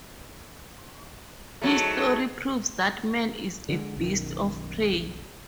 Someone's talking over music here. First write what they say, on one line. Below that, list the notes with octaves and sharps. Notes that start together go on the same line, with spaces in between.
History proves that man is a beast of prey.
G#2 F#3 A3
D3 E3 G#3
B1 F#2 D#3